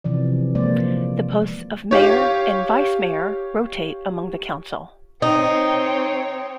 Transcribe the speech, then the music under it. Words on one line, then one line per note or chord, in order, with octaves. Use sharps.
The posts of mayor and vice-mayor rotate among the council.
C3 E3 F3 D5
F3 G#3 A#3 C5 D5
F4 G4 C#5
C4 D#4 C#5